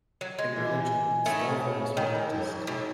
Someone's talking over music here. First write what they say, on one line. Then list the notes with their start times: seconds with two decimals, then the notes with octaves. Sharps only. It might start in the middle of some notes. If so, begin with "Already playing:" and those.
In religion, Stovel was a Baptist.
0.21 F#3
0.39 G#3
0.56 E3
1.26 A2 D#3 A3
1.44 C#3
1.61 C#3
1.97 A2 D#3
2.15 G#2
2.32 G#2
2.50 F#2
2.67 G#2 B2